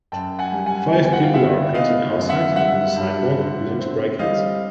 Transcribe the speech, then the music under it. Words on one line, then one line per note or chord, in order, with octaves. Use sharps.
Five people are painting outside on the sidewalk using spray cans.
F#2 G5 A5
F#5 G#5
G3
F#5 G#5
B3 G#5
G5
F#5
F5 G5
B3 E5 F#5
B3 D#5 F5
F#2
E5 F#5
G3 E5 F#5
G2
D3
C4
G3 D#5 F5